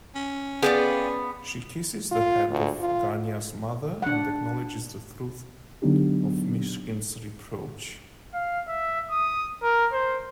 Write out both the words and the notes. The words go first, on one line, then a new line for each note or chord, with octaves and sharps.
She kisses the hand of Ganya's mother and acknowledges the truth of Myshkin's reproach.
C#4
B3 F4 G#4 D5 G5
F4
D2
F4
D4 F#5
D3 F#3 B3 D4 D#4 G4
F5
E5
D#6
A#4
C5